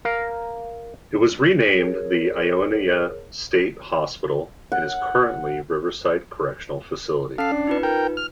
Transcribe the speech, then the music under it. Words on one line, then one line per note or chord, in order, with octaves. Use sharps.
It was renamed the Ionia State Hospital and is currently Riverside Correctional Facility.
A#4 F5
G#4 A#4 C#5
F#5
C#4 A4 F5 C7
D4
D#4 F4 B4
A#4 G5
F6